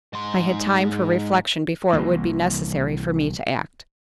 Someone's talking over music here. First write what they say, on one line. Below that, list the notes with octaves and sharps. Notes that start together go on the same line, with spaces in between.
I had time for reflection before it would be necessary for me to act.
G#2 C6
C2 E3 A#3